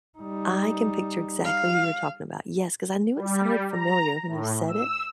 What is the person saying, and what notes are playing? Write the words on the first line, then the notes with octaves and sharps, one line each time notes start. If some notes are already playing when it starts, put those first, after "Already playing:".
I can picture exactly who you're talking about. Yes, 'cause I knew it sounded familiar when you said it,
G3 D#4
F5
G3
A#5
A2
E6